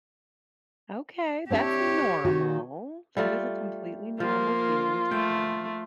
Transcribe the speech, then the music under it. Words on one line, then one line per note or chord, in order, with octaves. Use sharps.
Okay. That's normal. That is a completely normal feeling to have.
C4 D4 E4 G4 C#5
D#3 F#4
G3 A3 F4
F3 A#3 F4
A3 G5